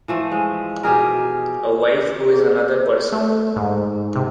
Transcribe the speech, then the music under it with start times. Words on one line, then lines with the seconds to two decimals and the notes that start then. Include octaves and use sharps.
A wife who is another person.
0.08 E3 F3 A3
0.32 G#3
0.83 B2 G4 G#4 A#4
2.33 G#4
3.12 A3
3.56 G#2
4.15 C3